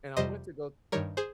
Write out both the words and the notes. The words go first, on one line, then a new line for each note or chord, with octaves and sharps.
and I went to go
F2 C3 G3 C5 D#5
G2 D#3 G3 A#4 C#5
G#4 C5